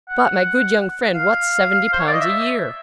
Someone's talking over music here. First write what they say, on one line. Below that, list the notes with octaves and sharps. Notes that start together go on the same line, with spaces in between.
But, my good young friend, what's seventy pounds a year?'
F#5
F5
C5
C#5
D5
D#5
E5